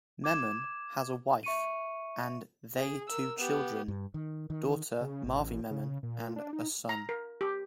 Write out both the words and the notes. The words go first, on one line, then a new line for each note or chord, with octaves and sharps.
Memon has a wife and they two children: daughter Marvi Memon and a son.
D6 G#6 E7
E5 C#6 C#7 D#7
G#4
A#4 E6
B3 G4
G2
D#3
D#3
C#3
A1
C#3
A#2
D4
D#4
A#5
A#4
G4